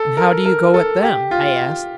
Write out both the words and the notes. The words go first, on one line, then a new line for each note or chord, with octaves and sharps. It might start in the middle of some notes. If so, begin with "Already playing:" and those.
"And how do you go at them?" I asked.
Already playing: A4
A#4
A#4
A4
G4
F4